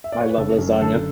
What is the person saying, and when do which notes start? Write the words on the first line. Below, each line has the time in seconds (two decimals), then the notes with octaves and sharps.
I love lasagna,
0.04 E5
0.12 D5
0.21 C#5
0.29 B4
0.37 F#1 A4
0.59 F#2
0.81 D3 A4